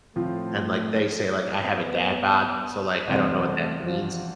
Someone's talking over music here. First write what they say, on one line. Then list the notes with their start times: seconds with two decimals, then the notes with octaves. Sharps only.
and, like, they say, like, I have a dad bod, so, like, I don't know what that means.
0.15 A2 F3 A3 C4 F4
1.61 B3
3.07 E2 C3 G3 A3 C4
3.44 A3
3.80 F3